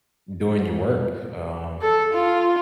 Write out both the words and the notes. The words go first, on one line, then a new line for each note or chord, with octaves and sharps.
doing your work, um,
A4
F4